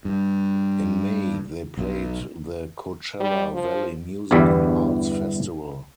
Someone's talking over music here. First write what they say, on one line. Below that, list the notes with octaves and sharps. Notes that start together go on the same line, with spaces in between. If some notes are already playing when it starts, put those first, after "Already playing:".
In May, they played the Coachella Valley Music and Arts Festival.
G2
B1
G3
F3
G1 E2 G2 E3 G3 E5